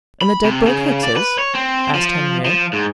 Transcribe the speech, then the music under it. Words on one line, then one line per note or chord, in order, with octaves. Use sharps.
"And the Dedbroke-Hickses?" asked Henriette.
B5
C3
C#3
D5
B4
C#5
C4
F3
F3
G#2